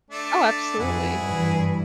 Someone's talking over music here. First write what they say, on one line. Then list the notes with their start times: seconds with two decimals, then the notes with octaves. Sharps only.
Oh, absolutely.
0.10 A3 D4
0.79 F2 E4 F#4 G#4
1.22 G2 E3